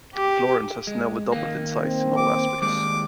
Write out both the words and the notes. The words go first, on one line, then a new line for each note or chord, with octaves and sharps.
Florence has nearly doubled in size in all aspects.
G4
G#3
D#2 A#3
C4
D6
D#2 G3 G#3 D6